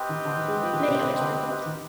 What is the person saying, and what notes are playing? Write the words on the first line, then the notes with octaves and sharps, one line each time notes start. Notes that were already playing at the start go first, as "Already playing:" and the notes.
Many others were involved.
Already playing: C4 G4 B4 D#5 G5
D#3
D3
D#3
G#3
F3
D#3
C3
C3
D3
D#3